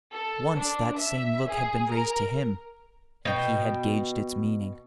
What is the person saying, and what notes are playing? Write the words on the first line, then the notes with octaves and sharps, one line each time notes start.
Once that same look had been raised to him, and he had gauged its meaning.
A4
D4
E5
G#4
A#4
B2 G5